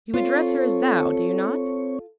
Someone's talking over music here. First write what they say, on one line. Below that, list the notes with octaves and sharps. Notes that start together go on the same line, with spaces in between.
"You address her as thou, do you not?"
C4 F4 A4 C#5